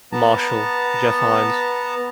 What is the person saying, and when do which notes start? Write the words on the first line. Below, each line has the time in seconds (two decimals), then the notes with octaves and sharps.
Marshall: Jeff Hines.
0.12 B3 A5 A#5